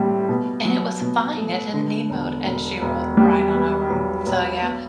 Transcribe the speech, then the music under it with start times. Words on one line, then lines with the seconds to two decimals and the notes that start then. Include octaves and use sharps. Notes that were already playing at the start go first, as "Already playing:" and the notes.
And it was fine, it didn't need mowed, and she rolled right on over 'em. So, yeah,
Already playing: A2 G3 C4
0.29 B2
0.65 F#3
1.01 B2
1.37 A3
1.73 D3
2.10 E1
2.46 E1
2.81 E1
3.17 G3
3.54 B3
3.90 B1
4.27 B1
4.62 B3